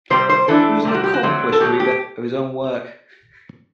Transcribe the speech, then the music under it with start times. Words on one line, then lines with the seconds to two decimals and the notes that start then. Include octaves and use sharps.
He was an accomplished reader of his own work.
0.10 C3 G3 C4 C5
0.29 C5
0.48 E3 A3 D4 A4
0.85 C3 G3 C4
0.95 F#4
1.04 G4
1.14 F#4
1.23 D3 F#3 A3 C4
1.52 A4
1.60 B2 F#3 A3 G4
1.80 G4